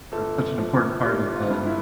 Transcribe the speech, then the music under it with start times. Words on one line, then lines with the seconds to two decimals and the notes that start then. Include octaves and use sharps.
that's such an important part of, uh
0.12 G1 A4
0.58 F3
1.04 G1 G4
1.36 F4
1.50 G2
1.67 E4